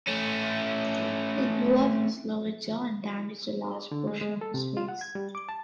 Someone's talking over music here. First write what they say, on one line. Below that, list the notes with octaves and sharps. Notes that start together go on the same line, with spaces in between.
It blew off his lower jaw and damaged a large portion of his face.
A3 C#4
D3
G#3
G#3
A4
C3
F4
F#5
G#6
G3
D6
A5